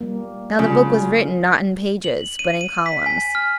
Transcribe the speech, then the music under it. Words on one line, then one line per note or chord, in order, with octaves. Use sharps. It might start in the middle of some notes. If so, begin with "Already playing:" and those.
Now the book was written, not in pages, but in columns.
G3 A#3
C#3 F#3 G#3 F4
F#7
D#7
D#7
B6
G#5
F6